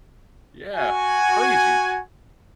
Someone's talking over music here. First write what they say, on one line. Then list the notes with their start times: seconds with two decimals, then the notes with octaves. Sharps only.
Yeah, crazy.
0.77 F#4 G#5